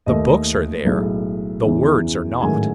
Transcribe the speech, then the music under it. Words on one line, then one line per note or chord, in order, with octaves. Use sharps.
The books are there--the words are not.
D#2 D#3 A3 D#5
B1 A2 G#3
E2 C#3 E3
A1 G#2 D#3 F#3 A3 G#5